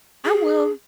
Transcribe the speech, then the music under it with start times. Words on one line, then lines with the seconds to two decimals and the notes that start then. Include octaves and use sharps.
I will
0.25 G#4